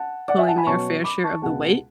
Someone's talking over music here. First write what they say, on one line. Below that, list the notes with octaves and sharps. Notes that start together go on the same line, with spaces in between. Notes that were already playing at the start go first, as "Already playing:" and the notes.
pulling their fair share of the weight
Already playing: F#5 A5
D5 F#5
E5 G#5
F#5 A5
G#5 B5
B2 F#3 C#4 A5 C#6
B5 D6
A5 C#6
C#2 B2 G#3 F#5 A5